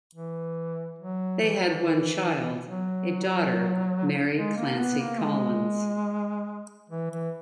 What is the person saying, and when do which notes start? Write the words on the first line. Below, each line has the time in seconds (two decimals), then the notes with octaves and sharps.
They had one child: a daughter, Mary Clancy Collins.
0.15 E3
0.99 F#3
1.41 E3
1.55 F#3
1.68 E3
2.67 F#3
4.36 G#3
4.57 A#3
4.79 B3
5.00 A#3
5.21 G#3
6.90 E3
7.11 E3